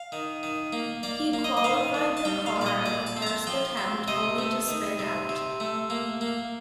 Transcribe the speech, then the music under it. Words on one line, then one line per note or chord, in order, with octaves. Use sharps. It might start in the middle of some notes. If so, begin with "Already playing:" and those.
He qualified the car at the first attempt, only to spin out.
Already playing: F5
D#3
D#3
A#3
A#3 D5
A#3
D#5
D#5
D#3 F5
D#3
A5
G3 G5
F5
A#2
D5
D#5
A#2 D5
A5
C4
A#5
A5
F3 G5
C4
C3 D#5
A3
D#3
C3
C3
A3
A#3
A#3